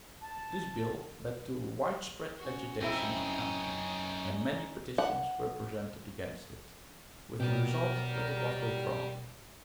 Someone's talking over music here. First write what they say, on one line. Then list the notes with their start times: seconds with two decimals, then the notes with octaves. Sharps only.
This bill led to a widespread agitation in the country, and many petitions were presented against it, with the result that it was withdrawn.
0.22 A5
2.39 C#4 F#4
2.81 F#2 C4 C#4 D#4 E4 G#4
4.98 F#5
7.40 B2 F#3 G4 A#4 D5